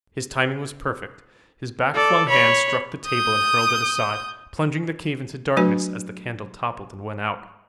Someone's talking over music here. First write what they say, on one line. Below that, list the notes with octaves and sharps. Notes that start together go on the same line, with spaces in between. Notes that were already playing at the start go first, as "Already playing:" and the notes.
His timing was perfect; his back- flung hands struck the table and hurled it aside, plunging the cave into darkness as the candle toppled and went out.
A4 D5
C#5 B5
D#6 G6
F#3 A3 D4 F#4 B4 G#5